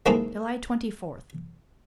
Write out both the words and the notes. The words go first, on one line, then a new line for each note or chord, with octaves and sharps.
July Twenty-fourth.
G#3 A#3 C4 D#4 E4 A4